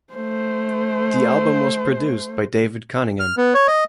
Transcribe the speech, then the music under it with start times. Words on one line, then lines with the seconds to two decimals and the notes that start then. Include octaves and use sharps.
The album was produced by David Cunningham.
0.13 A3 C5
3.20 F6
3.37 B3
3.54 C#5
3.67 D#5